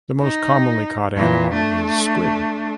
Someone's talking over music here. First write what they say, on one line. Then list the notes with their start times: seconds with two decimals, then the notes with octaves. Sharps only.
The most commonly caught animal is squid.
0.21 D#4
1.16 A#2 E3
1.53 A3 D4